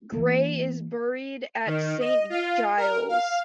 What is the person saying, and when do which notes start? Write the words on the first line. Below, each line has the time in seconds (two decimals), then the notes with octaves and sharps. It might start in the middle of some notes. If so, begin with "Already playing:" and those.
Gray is buried at Saint Giles'.
0.12 E3 A#3
1.66 D#3
2.00 D#5
2.30 F4
2.77 A#4
3.09 F5